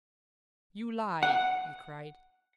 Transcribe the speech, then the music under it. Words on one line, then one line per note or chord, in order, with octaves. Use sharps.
"You lie!" he cried.
F#5